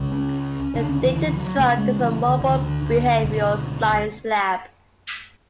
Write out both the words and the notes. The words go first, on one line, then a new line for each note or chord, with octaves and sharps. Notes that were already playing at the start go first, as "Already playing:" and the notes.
The Data Truck is a mobile behavioral science lab.
Already playing: C#2 C#3
C#4
D2 C#3 D4
C#4
E3
E3
F#3
C#2 C#3 A3
G#3
E3
D3
D2 D3 E3
D3
D3
C#2 B2